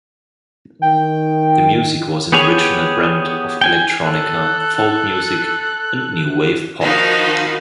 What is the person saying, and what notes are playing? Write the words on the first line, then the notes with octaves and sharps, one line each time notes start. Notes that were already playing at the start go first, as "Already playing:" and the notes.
The music was an original brand of electronica, folk music, and new wave pop.
D#3 G5
B3 G4 G#4 C#5
G5 G#5
A4 F#6
D#3 F3 D#4 F#4 F5 B5